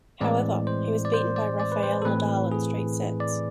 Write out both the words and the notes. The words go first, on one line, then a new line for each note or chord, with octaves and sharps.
However, he was beaten by Rafael Nadal in straight sets.
A2 E3 G#3 C4 D5
C5
D5
C5
D5
D5
B4
C5
A4
A2 E3 A3 C4 B4
G#4
D5